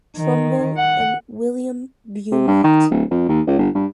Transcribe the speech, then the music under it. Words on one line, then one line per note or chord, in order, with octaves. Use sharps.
Trumbull and William Beaumont.
D#3
F#5
C3
G2
D#3
D1
F2
D#2
C#2
G1
G2